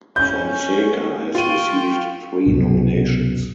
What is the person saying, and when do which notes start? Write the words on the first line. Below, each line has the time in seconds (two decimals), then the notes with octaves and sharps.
Fonseca has received three nominations.
0.16 C#4 G6
1.35 F4 G5 C#6 D#7
2.46 C2 F#2 B2